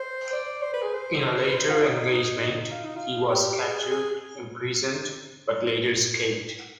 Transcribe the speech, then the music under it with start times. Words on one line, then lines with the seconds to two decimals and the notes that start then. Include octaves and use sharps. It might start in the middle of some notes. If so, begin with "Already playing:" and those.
In a later engagement, he was captured, imprisoned, but later escaped.
Already playing: C5
0.33 D5
0.62 C5
0.73 B4
0.82 G#4
0.93 C5
1.48 B4
1.52 C5
1.70 F4
1.82 D#4
2.12 D#4
2.42 D#4
2.71 F4
2.84 D#4
2.96 F4
3.31 G4
3.62 G#4
3.91 G#4